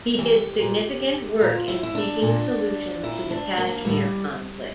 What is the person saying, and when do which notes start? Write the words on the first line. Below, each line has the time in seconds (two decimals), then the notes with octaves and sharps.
He did significant work in seeking solutions to the Kashmir conflict.
0.18 E3 G4
0.59 A#2
1.41 A#2 F4
1.68 E4
1.83 E4
1.95 D4
2.22 A#2
3.03 A#2 E4
3.30 D4
3.58 A#3
3.85 A2 G3